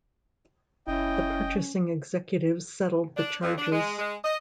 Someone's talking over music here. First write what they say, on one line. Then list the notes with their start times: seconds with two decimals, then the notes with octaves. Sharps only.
The purchasing executives settled the charges.
0.87 F#1 C#4 E4 D#5 G5
3.17 D4
3.43 F2
3.58 D4
3.72 G#3
3.99 G#3
4.24 D#5